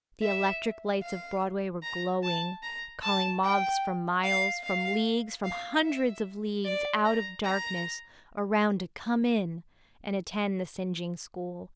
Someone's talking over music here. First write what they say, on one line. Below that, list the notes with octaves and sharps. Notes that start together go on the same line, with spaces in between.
The electric lights of Broadway were glowing--calling moths from miles, from leagues, from hundreds of leagues out of darkness around to come in and attend the singeing school.
E5
F5
A#5
A5
A#5
A5
G5
F5
F5
F5
E5
D5
A#5
A#5